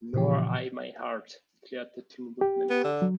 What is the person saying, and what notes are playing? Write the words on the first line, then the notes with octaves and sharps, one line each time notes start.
"Nor I my heart," declared the Tin Woodman.
A#2 C#3 E3 F3 G4
G4
B3
D3
F#3